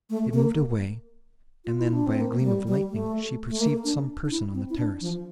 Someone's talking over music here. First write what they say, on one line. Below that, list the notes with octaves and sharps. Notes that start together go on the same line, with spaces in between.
It moved away, and then, by a gleam of lightning, she perceived some person on the terrace.
A3
A#3
F4
E4
D4
C4
A#3
A3
G3
G3
A3
A3
A#3
D4
D4
E4
C4
E4
D4
F3